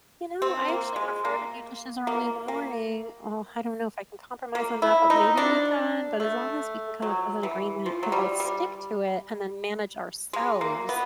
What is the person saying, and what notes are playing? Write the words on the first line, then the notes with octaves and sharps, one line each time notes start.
you know, I actually prefer to do dishes early in the morning." "Oh, I don't know if I can compromise on that, but maybe we can," but as long as we can come up with an agreement and both stick to it and then manage ourselves
C4
A#3
G#3
A#3
A#3
A#3
A#3
E4
D#4
D4
A3
F#3
E3
F3
F#3
G3
G3
G#3
A#3
B3